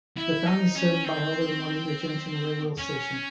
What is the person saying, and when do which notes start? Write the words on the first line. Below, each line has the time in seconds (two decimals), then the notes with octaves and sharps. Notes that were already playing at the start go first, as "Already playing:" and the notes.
The town is served by older Morinda Junction railway station.
0.17 E4
0.47 D#4
0.75 C#4
1.04 C4
2.78 C#4